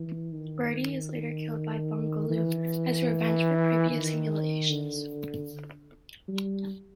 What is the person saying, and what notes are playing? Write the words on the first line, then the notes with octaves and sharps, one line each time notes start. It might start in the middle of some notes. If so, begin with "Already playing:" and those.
Birdie is later killed by Bugaloo as revenge for previous humiliations.
Already playing: E3
D#3
E3
D#3
D3
G3